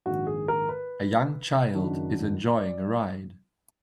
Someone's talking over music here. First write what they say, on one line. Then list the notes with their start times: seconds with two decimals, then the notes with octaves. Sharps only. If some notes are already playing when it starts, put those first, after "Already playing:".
A young child is enjoying a ride.
0.06 A#1 G#2 D#3 F#4
0.27 G#4
0.48 A#4
0.69 B4
1.74 F#1 F#2 D#3 F#3 D4
2.58 D5